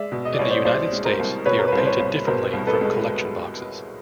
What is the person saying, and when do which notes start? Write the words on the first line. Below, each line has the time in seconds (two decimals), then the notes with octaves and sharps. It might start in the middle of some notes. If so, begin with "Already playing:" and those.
In the United States, they are painted differently from collection boxes.
Already playing: G#3 D5 E5
0.12 B2
0.25 D#5
0.33 D5
0.39 C2 C#5
0.50 C5 D5
0.65 C2 C5 D5
0.93 G#3
1.05 A#4 C5
1.19 C2
1.45 B2 B4 C#5
1.59 A#4
1.68 B4
1.72 C2
1.77 C5
1.86 B4 C#5
2.00 C2
2.27 B2 A#4 C5
2.53 C2
2.67 A4 B4
2.81 G#3